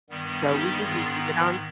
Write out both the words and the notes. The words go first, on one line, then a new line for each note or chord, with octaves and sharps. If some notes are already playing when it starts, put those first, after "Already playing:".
So, we just leave it on
G2 D#3 G3 B3
D#4 G4
G#2 D#3 B3 F4 G#4